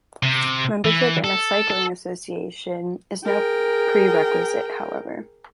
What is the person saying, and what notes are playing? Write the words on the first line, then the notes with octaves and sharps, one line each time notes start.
Membership in a cycling association is no prerequisite however.
C3
E3
A4
A4
G#4 A#4 G5